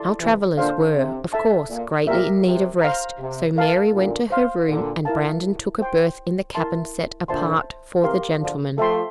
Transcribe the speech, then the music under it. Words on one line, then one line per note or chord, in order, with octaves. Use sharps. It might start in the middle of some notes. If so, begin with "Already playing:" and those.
Our travelers were, of course, greatly in need of rest; so Mary went to her room, and Brandon took a berth in the cabin set apart for the gentlemen.
Already playing: E4 A4 D5 A5 C6
C3 E3
A#2 D3 D4 A4 C5 F5
C3
A4 E5 A5
A#2
A#2 G4 A#4 E5
C3
C5 F5 A#5
C3
A#4 F5 A5
A#2 D3
C5 F5 C6
A#2 D3
E4 A#4 F5 A5
C5 G5 C6
E4 A#4 E5 A5 C6
A#2 D3 C5 E5 A5 C6
C3 E3 G4 A#4 F5 C6
D3 F3
F3 A3 A4 E5 G5 C6